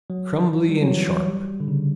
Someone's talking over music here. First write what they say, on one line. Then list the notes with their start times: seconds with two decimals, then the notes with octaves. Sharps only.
Crumbly and sharp.
0.10 F#3
0.69 G3
0.82 F#3
0.97 E3
1.10 F#3
1.28 G3
1.60 D3
1.68 C#3